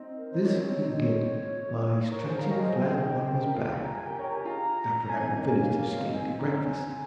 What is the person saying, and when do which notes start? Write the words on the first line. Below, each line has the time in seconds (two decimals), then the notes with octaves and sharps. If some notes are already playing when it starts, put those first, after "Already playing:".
This he did, by stretching flat on his back, after having finished his scanty breakfast.
Already playing: C4 D#4
0.17 A#4
0.30 D#4 C5
0.43 A#3 C#4 C#5
0.56 C4
0.69 C4
0.83 C4 D#4
0.96 C#5
2.11 A#4 C#5
2.25 G#4 C5
2.38 A#4 C#5 F5
2.45 G#4
2.51 G4 A#4 D#5
2.63 G#4 C5
2.76 F4 G#4 G5
2.89 G#4 C5
3.02 C5 D#5
3.28 G#4 C5
3.42 G4 A#4
3.54 F4 G#4
3.84 A#5
3.94 G#5
4.05 G4 A#4 G5
4.19 A#4 C#5 A#5
4.31 G4 A#4 G#5
4.41 F4 G#4 A#5
4.98 A#5
5.09 C4 G#5
5.27 D#4
5.35 A#3 C#4 G#5
5.61 A#3 C#4 F5
5.78 A#3 C#4
5.97 C4 D#4
6.13 C4 D#4 G#5
6.39 C4 A#5
6.47 C#4
6.52 C4 A#5
6.65 C4 G#5